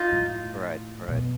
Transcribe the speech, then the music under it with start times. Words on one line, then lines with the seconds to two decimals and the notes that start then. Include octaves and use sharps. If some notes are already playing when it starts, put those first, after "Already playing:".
Right, right.
Already playing: D#4 F4
0.12 A2
1.08 B2